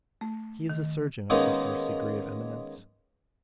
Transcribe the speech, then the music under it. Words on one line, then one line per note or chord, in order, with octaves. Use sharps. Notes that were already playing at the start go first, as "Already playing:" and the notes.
He is a surgeon of the first degree of eminence.
A3
D#3
D#3 G#3 A#3 B3 C#4 D#4